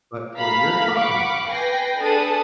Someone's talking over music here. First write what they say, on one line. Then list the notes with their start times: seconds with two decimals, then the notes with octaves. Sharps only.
but what you're talking about
0.36 A3 F5 A#5 B5 B6
0.96 F5 F#5 B5 C#6 D6
1.48 B4 G5 G#5 A#6 C7
2.00 D4 G#4 A4 B4 A5 D#6